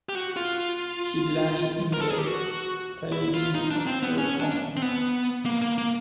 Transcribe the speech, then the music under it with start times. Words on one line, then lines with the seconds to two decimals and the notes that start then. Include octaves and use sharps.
She lay in bed, staring at her phone.
0.09 G4
0.15 F#4
0.36 F4
1.94 A#4
2.01 A4
2.10 G#4
2.18 G4
2.27 F#4
3.12 E4
3.34 F4
3.55 D#4
3.71 D4
3.87 C4
4.03 B3
4.18 C#4
4.40 D4
4.77 C4
4.82 B3
5.45 A#3
5.62 A#3
5.78 A#3